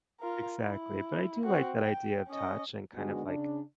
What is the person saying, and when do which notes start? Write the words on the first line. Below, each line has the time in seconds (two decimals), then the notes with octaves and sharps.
Exactly, but I do like that idea of touch and kind of, like,
0.21 F4 A#4
0.60 E4
1.44 C4 F#4
1.78 G5
2.28 C#4 D#5
2.94 D#2 D3 G#3 B3 D4 F#4
3.26 C#3 D4